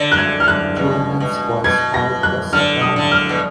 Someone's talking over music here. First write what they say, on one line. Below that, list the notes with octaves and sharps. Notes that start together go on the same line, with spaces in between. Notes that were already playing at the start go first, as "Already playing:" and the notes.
Turunen's voice type is soprano.
Already playing: D3 A#6
F#6
G#6
F6
F#6
B2
B2
B2 G#6
A#6
F#6
D3 F6
D#6
D3
F6
B2